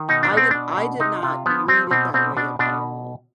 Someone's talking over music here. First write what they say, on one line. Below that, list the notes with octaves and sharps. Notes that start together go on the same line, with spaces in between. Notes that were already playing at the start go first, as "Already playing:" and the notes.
I didn't I did not read it that way at all,
Already playing: D#3
B2 D#4
D4
B2
C4
B2 D4
B2
C3 D#4
C3 F4
F3 B3
F3 C4
B2 C4
B2 C4
B2 D4
B2 D4